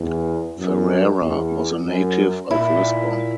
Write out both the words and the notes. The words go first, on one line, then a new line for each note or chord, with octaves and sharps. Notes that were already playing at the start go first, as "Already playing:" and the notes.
Ferreira was a native of Lisbon.
Already playing: E2
F#2
E2
F#2
A#2 E4